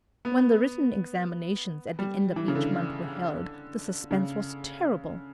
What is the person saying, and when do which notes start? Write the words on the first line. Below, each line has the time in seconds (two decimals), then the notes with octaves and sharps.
When the written examinations at the end of each month were held the suspense was terrible.
0.25 B3
1.99 G3
2.36 E3
2.48 C#3
2.55 D3
4.11 C#3